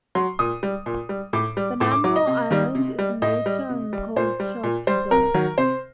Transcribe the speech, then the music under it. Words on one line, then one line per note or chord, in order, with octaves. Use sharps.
Bananal Island is a nature and culture preserve.
F#3 C6
A#2 D#6
G3
A#2
G3
A2 D6
G3
A2 D6
D6
F#3 D6
D#5
C3
D#3 G3
C3
G3
A2 D#5
G3
C3
G3
A#2 C5
G3
A#2
G3 C5
C3 A#4
D#3 F#3
C3 C5